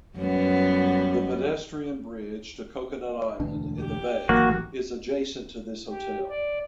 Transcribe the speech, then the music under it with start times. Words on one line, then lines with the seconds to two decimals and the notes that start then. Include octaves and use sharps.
The pedestrian bridge to Coconut Island in the bay is adjacent to this hotel.
0.17 F#2 G3 B3
3.40 E1 D2 D4
3.80 G4
4.29 G#1 E3 F#3 A#3 F#4
5.90 G4
6.30 D5